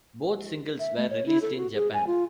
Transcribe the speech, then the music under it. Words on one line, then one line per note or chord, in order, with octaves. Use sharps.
Both singles were released in Japan.
E5
A3
C#5
E4
A4
F#4
G#4
G#5
F4